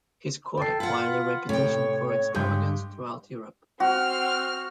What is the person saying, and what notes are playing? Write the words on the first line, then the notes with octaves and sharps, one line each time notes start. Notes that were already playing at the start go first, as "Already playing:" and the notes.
His court acquired a reputation for extravagance throughout Europe.
A4 G5 C7
F4 B4 F#5
A2 C3 C#5 G5
C#5
G2 G#3 G4 G6
C4 F#4 F6